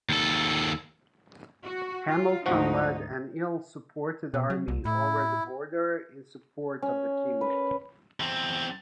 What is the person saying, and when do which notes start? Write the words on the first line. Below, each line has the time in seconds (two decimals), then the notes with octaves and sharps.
Hamilton led an ill-supported army over the border in support of the king.
0.09 D#2 A4
1.64 F#4
2.07 F4
2.46 D2 G#2 F3 D#4 F#4
4.34 B2
4.50 F#3
4.68 C2
4.85 A2 E4
6.82 C#4
7.41 B4
8.20 E2 C4